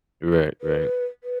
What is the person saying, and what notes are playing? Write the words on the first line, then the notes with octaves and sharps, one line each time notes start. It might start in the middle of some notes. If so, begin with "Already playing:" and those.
Right, right.
B4
B4